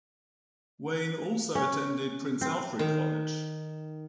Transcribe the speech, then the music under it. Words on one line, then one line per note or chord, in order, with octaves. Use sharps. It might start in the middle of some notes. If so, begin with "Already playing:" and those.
Wayne also attended Prince Alfred College.
C#4
C4
D#3